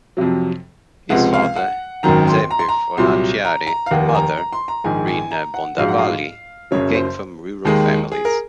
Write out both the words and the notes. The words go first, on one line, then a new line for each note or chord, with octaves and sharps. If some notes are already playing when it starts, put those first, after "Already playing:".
His father, Giuseppe Fornaciari, and mother, Rina Bondavalli, came from rural families.
F2 C3 F#3
C#2 C3 F3 G#3 F#5
F5
F#5
G#1 F#2 D#3 A#5
C6
A#5
C6
A#5
C2 A#2 F#3 C6
A#5
A#5
F5
F1 D#2 D#3 F#5
G#5
A#5
A#5
C6
A#5
A#1 G#2 D#3 G#5
G#5
A#5
F#5
A#1 G#2 F#3 F5
F#5
F5
F#1 F#2 C#3 F#3 C#5
C5
D#2 D#3 G#3
G#4
A#4